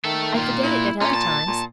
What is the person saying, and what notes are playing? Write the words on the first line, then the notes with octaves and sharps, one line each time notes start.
I forget it at other times.
D#3 A4 E5
A#3 F4
E4
A#2 C#4
A5
A#2